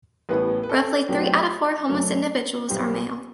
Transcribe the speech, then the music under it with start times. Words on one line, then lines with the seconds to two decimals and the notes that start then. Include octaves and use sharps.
Roughly three out of four homeless individuals are male.
0.29 A1 A2 G3 B3 B4
0.63 B4
0.69 A4
1.09 B1 B2 F#3 A3 C4 G4
1.18 F#4
1.26 G4
1.89 F#1 F#2 F#3 A3
2.68 B1 B2 G3 C4